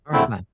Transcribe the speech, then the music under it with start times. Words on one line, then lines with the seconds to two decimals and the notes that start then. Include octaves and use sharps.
Alright, bye.
0.13 E2 D3 A3 C4 E4